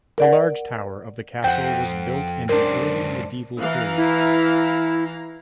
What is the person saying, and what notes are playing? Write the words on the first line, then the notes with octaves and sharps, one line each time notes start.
The large tower of the castle was built in the early medieval period.
A#4 D5 F#5
F2 C5 F#5 G5
C#2 F#2 D4 A#4 C5
E3 F5 A#5
E4